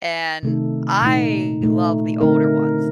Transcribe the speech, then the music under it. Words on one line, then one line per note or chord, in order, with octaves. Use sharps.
and I love the older ones.
C3 D#3 A3 D#4 A4
A#2 A3 D#4
A#2 A3 D#4
D3 A3 C4 D#4 A#4